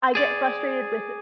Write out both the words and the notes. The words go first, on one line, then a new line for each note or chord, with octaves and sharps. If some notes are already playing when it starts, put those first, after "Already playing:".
I get frustrated with it
G#4 D5